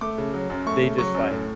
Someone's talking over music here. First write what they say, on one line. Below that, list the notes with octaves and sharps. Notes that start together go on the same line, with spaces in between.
they just, like
A3 D6
C#3
F#3
F#2
A3 C#6
C#3
F#3 C#6
F#2
A2